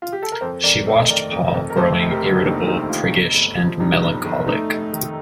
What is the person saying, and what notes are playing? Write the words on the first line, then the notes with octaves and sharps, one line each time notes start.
She watched Paul growing irritable, priggish, and melancholic.
F4
G4
A4
A#4
F2 A4 C5
F2 A#4 D5
A3 C5 D#5
D#5
D#3 A#4 D5
F2
F2
A#4
A3 A4 C5
F1
G4 A#4
D3
D#2 D#4
A3 D#4
F1 F4
G1
G1
F3
G2 D#4
G1
G1
A3 D#4
F1
D#3